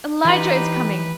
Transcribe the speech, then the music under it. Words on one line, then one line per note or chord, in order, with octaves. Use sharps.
Elijah is coming!
E3 D#4 G4 B4 B5